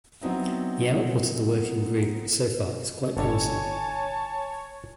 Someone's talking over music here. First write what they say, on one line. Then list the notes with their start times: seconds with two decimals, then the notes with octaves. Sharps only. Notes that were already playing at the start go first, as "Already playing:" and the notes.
The output of the working group so far is quite promising.
0.21 F#3 B3 C4 D#4 E4
3.17 G1 D3 C#5 G#5 A5